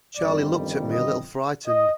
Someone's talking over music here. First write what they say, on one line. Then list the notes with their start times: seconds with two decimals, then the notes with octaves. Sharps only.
Charley looked at me a little frightened.
0.16 G1 F2 D#3 G3 D5
0.92 D#5
1.68 D#5